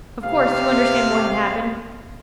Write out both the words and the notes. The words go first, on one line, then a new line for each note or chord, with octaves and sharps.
Of course, you understand what had happened?
C3 F5